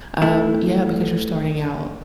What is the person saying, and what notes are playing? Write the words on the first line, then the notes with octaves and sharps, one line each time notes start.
Um, yeah, because you're starting out
A3 E4